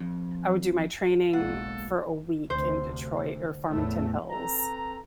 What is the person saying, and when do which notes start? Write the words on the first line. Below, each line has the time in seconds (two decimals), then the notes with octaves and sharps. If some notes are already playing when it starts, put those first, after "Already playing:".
I would do my training for a week in Detroit or Farmington Hills.
0.01 F2
1.33 F#1 B1 G#3 A#3 A4 F5 F#5
2.50 D2 C3 C5
3.69 E2 A2 A3
4.29 C4 A4 B4 A#5